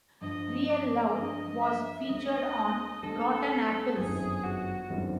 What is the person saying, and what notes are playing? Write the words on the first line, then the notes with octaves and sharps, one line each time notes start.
"Real Love" was featured on "Rotten Apples".
G2 D3 F3 D#5
D5
G2 D3 F3 D#5
E5
D2 D3 G3 C4 D#5
D2 D3 G3 C4 A4
G1 F#2 D#3 G3 C4 G#4
F#4
G1 F#2 D#3 G3 C4